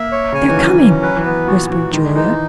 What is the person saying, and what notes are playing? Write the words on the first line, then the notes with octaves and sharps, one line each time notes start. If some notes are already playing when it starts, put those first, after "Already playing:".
"They're coming," whispered Julia.
Already playing: A#3 E5
C#5
C#3 G#5
D#3
E3
F#3 C#4
E3 C#4
F#3 B4
E3
F#3 B3
A#2 F#4
E3 F#4
D#3 G#3
E3 D#4